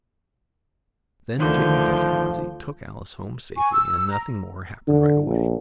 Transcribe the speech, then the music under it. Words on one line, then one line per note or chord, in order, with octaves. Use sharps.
Then Jane Fuzzy-Wuzzy took Alice home safely, and nothing more happened right away.
D2 D3 D#3 F3 G6
G#5 C#6
E6
A#5
D3
A#1